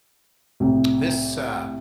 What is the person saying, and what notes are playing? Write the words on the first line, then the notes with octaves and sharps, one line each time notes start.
This, uh
C2 A2